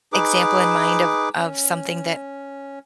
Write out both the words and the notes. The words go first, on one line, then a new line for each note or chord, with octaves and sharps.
example in mind of of something that
D#4 G#4 B4 D6
C#4